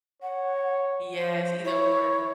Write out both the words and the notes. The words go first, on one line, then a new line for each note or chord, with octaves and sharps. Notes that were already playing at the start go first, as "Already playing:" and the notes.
yes, either, or.
C#5 F#5
F3 C5
E4 C#5